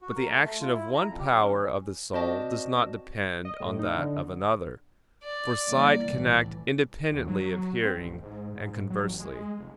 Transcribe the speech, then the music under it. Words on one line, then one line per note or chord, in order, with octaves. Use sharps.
But the action of one power of the soul does not depend on that of another; for sight can act independently of hearing, and conversely.
F#4
A#4
A3
A3
F4
E4
A#5
F2
G4
C#4
E3
C4 F#4 D5 D#5 A5
D#5
A2
D#4
D3
D5
E3 G3 A#3
C2 A2 E3
D#2
F#3
C4
A1
G#2
G#2
F#3
A1
G#3
F1